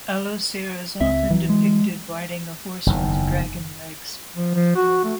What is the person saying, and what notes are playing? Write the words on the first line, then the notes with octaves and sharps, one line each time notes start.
Allocer is often depicted riding a horse with dragon legs.
C#2 C4 E5
E3 F#3
G#3
F#1 E2 D#3
F3
F3
F#4
A3